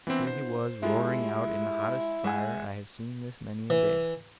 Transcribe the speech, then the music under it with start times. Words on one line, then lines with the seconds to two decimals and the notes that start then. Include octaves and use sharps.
There he was roaring out in the hottest fire I have seen this many a day!
0.07 E3 B3 C4 D4 E4
0.27 C5
0.83 G#3 E4 F4 G4 A4
2.24 G#3 E5 F#5 G#5
3.70 E3